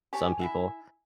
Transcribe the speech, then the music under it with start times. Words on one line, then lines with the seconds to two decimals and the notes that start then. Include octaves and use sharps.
some people.
0.13 G4 C#5 G#5 A5
0.39 E4 F#4 E5